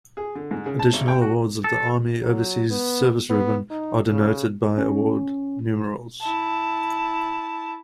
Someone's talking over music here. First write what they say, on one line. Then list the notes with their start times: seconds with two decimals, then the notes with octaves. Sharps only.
Additional awards of the Army Overseas Service Ribbon are denoted by award numerals.
0.17 G#4
0.35 D3
0.51 G#2
0.66 C#3
0.79 A5
0.93 G#1
1.08 G5
1.21 F#4
1.64 A4
2.22 F#3
2.71 B3
3.30 B3
3.71 D#4
4.11 C#3
4.78 C#4
6.21 E4 A5